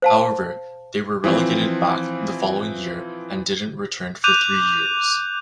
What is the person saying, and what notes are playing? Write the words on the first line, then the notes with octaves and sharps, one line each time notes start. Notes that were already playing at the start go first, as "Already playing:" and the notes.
However they were relegated back the following year and didn't return for three years.
C5 F5 A5
E3 F3 C4
D6 F#6 G6 D#7 F7